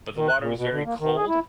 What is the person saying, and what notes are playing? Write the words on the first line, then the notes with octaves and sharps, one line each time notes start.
but the water was very cold,
D#3
F#6
A#2
B2
D3
A#3
D#3
G#4
E4